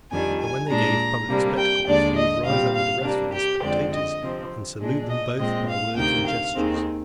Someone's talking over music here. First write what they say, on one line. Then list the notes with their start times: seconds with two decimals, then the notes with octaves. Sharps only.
And when they gave public spectacles, he would rise up with the rest of the spectators, and salute them both by words and gestures.
0.11 F2 D#3 G3 D4 G#5
0.41 G#5
0.70 A#2 G#3 D4 A#5
1.29 C3 G3 A#3 D4
1.58 G5
1.87 D#2 D3 G#3 D4 D5
2.17 D#5
2.46 A#2 G3 C4 F5
2.75 F5
3.04 C3 G3 A#3 D4
3.34 G4
3.63 F2 D3 G#3 C4 D5
3.92 D#5
4.22 C3 F3 C4
4.80 A#2 G#3 D4
5.09 D#5
5.39 A#2 G#3 C4 D#5
5.68 F5
5.97 D2 C3 D#3 A#3 G5
6.27 F5
6.55 D#2 D#3 G#3 C4